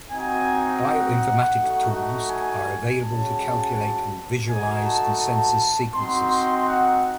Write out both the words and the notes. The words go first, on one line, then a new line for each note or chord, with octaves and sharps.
Bioinformatics tools are able to calculate and visualize consensus sequences.
C4 D#4 F#4 G#5
F#5
A3 D#4 F#4
G#5
G#3 C#4 F#4 A5
A3 D#4 F#4 G#5
A5
A5
C4 D#4 F#4 C6
C6
F#5